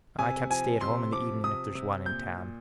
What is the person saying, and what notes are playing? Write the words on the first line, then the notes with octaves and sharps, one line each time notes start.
I can't stay at home in the evening if there's one in town.
C3 G#5
F3 G#5
C3 C6
F3 D6
C3 D#6
C3
A#2 G6
A#2